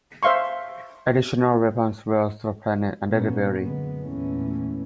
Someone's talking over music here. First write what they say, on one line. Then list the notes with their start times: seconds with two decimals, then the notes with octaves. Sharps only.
Additional weapons were also planned under the belly.
0.23 C5 E5 F5 C6 C#6
3.08 A#2 A#3 B3 C#4
3.63 F#2 D3 G#3 B3
4.02 E2 A#2 E3 A3 B3 C#4